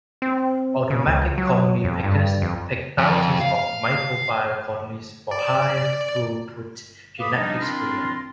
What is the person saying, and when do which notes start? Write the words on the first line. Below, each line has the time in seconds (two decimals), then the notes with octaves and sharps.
Automatic colony pickers pick thousands of microbial colonies for high throughput genetic screening.
0.22 C4
0.90 C#3
1.07 C#2
1.38 F#3
1.84 F2
2.03 G2
2.42 F2
2.98 F2
3.40 F5
5.31 D5
7.19 A4 B4 F5 B5 D6 D#6
7.35 F3 G3 D4 D#4
7.59 C4 D4 E4 F4 A#4 C6